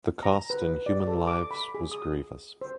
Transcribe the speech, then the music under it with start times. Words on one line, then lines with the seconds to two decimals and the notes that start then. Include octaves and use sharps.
The cost in human lives was grievous.
0.23 A#5
0.50 B4
0.86 D5
1.07 A4
1.27 D6
1.51 B5
1.75 G#4
1.92 D#6
2.61 C5